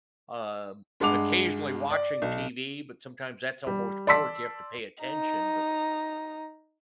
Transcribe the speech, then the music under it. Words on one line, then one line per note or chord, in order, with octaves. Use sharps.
um, occasionally watching TV, but sometimes that's almost work, you have to pay attention, but,
G2 G#3 F#5 D6 F7
D5
B1
G3
D5 A5 C6 E6 B6
D#4 A#5